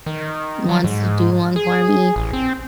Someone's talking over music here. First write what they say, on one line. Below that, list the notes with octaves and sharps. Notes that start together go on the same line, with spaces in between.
wants to do one for me,
D#3
F#3
G#2
G#4
A1
C4